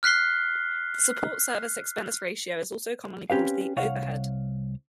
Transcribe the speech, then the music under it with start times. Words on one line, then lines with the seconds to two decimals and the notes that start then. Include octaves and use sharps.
The support service expense ratio is also commonly called the "overhead".
0.03 F6 F#6 B6 C7 G7
3.30 C4 C#4 G4 B4 F5
3.76 C2 C#5 F5 F#5